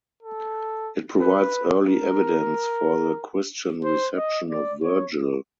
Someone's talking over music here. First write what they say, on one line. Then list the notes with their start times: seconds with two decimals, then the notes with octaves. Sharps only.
It provides early evidence for the Christian reception of Virgil.
0.23 A4
1.21 B4
1.88 A#4
3.84 C5
4.17 D#5
4.50 D5
4.83 C#5